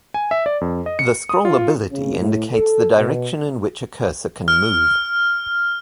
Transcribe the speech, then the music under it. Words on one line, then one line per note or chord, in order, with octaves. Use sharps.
The scrollability indicates the direction in which a cursor can move.
G#5
E5
D5
F2
D#5
C#7
D#6
F4
F4
C#3
A2
A4
B2
F6